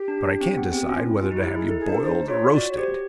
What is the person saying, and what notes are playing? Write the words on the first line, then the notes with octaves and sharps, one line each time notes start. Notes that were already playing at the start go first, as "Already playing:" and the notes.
But I can't decide whether to have you boiled or roasted.
Already playing: G4
D4
D4
C4
B3
G#4
C4 G4
F#4
C#4
F4
E4
F4
D#4 F#4
E4
D#4 G4
E4 G#4
D#4 A4
G#4
D4 A4
D#4 C5
F4 C#5
F#4 D5
C#5
G4 C5